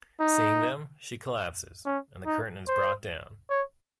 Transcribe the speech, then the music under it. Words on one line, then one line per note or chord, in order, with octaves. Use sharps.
Seeing them, she collapses, and the curtain is brought down.
D#4
C#4
D#4
C5
C#5